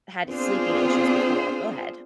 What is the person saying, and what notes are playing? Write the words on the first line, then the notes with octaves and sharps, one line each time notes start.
had sleeping issues before. Go ahead.
B3 C4 D4 F4 G#4 C5